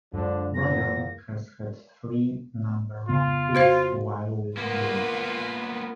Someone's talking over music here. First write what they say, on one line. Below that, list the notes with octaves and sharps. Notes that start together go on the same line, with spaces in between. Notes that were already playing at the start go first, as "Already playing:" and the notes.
Ryan has had three number one hits while with Blue.
F#2 D3 F3 G#3 D4
E2 F3 A#3 A#6
F2 C#3 B3 F4
F#4 C5 F5
A#3 B3 F4 A#4 B4